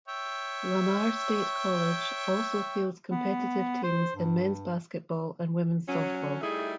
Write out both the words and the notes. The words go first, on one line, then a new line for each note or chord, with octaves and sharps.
Lamar State College also fields competitive teams in Men's Basketball and Women's Softball.
C#5 E5 G5
B3
C5
G2
F#3 C#4
G3 A3 D#4 E4 G#4